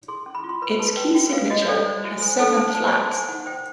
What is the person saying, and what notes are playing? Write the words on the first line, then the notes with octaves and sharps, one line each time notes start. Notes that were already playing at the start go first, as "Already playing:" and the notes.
Its key signature has seven flats.
G#4 C6
C#4
B5
F4
C6
B4 B5
B4 A5
B4 G5
F#4 G5
B4 F5
F#4 D#5
C#5
A4 D5
C5
F#4
C5 G#5
A4 A5
C5 A5
C5 A5
C5 A5
C5 G#5
D#4 F#5
C5 G5